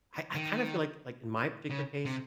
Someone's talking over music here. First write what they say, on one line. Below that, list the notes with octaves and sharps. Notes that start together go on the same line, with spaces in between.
I I kind of feel like like, in my particular case,
D#3
C#3
C3